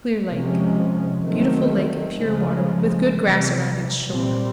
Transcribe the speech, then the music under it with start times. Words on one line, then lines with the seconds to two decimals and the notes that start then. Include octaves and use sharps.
Clear Lake.--Beautiful lake of pure water, with good grass around its shore.
0.30 C3 F3 G#3 C#4
1.23 D#3 F#3 A3 C4
2.18 C#3 F3 G#3
3.11 C3 E3 G3
4.05 A#2 G3 C4